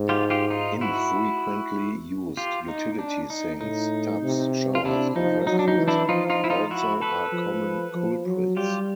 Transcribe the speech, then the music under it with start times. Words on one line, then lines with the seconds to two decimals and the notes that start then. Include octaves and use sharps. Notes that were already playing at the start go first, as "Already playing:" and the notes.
Infrequently used utility sinks, tubs, showers, and restrooms also are common culprits.
Already playing: G#2
0.09 F4 G4
0.30 F4 G4
0.50 D#4 F4
0.81 E4 F#4
2.37 F4 G4
2.68 D#4
2.99 D4
3.30 D#4
3.61 A2 D#4
4.23 C3
4.75 F4
4.84 C3 D4 E4
5.16 F3 D#4
5.47 F#3 D#4
5.59 D4
5.68 D#4
5.78 E3
5.88 D4 E4
6.09 F3 D#4 F4
6.30 D#4 F4
6.44 E4
6.50 D#4 F4
6.71 E4 F#4
7.02 A4 B4
7.32 F3
7.95 F3
8.26 F#3
8.56 G3 F4 G4